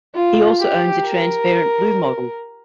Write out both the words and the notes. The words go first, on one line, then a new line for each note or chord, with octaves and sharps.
He also owns a transparent blue model.
F4
G4
A#4